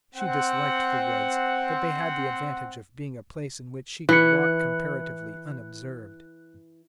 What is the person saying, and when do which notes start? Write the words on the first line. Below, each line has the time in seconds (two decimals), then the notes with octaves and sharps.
She disliked the woods, but they had the advantage of being a place in which she could walk comparatively unobserved.
0.15 C4 F#5
4.09 E3 F#6 C#7